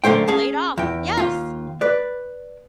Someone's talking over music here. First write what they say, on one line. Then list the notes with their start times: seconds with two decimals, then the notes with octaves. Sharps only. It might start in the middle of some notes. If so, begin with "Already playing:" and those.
Laid off. Yes.
0.04 F#2 D3 A3 C5 G5
0.28 C#4 G#4 F5 A5
0.77 E2 G5
1.17 D#2 F4
1.81 B4 D5